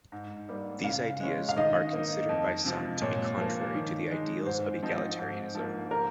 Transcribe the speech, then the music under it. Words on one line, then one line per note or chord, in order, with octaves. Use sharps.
These ideas are considered by some to be contrary to the ideals of egalitarianism.
G#2
G3 A#3
C#3 F5
G#3 C#4
F5
D#3 D#5
A#3 D#4
F2
C3 F3
A#2 C#5
F3 A#3
D#3
G#3 D#4
G#2 C5
F3 C4 D#4
G#2
F3 A#3
A#4